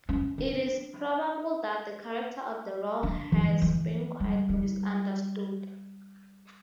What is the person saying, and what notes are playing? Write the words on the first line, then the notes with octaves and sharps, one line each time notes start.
It is probable that the character of the roll has been quite misunderstood.
C#4
D4
D4
E3
E3
G3
G3